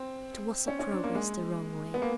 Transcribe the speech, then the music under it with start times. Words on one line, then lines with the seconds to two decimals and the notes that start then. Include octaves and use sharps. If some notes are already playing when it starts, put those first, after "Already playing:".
It was a progress the wrong way.
Already playing: C4
0.68 C#4
0.79 C#4
0.92 D4
1.04 A#3
1.15 G#3
1.94 B3
2.02 A#3